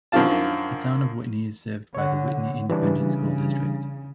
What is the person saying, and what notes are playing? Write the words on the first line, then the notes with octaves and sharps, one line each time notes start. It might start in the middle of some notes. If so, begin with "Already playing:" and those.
The Town of Whitney is served by the Whitney Independent School District.
F#2 D#3 F3 D4 F4 A5
D3 C#5 F#5
C#3 E3 G3 D4